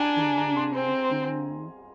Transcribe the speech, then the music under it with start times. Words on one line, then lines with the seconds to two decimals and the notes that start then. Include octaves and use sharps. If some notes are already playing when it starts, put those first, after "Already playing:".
Mhm, mhm.
Already playing: D4 G#5 A#5
0.19 A#5
0.38 A#5
0.56 C6
0.75 C4